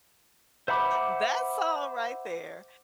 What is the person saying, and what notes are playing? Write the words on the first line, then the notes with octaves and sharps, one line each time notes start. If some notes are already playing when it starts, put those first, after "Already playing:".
That song right there
C5 E5 F#5 B5 D6